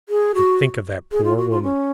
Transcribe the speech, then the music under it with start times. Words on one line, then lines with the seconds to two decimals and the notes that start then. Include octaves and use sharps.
And think of that poor woman!
0.09 G#4
0.35 F#4
1.12 G#4
1.24 F4
1.37 F#4
1.51 F4
1.63 C#4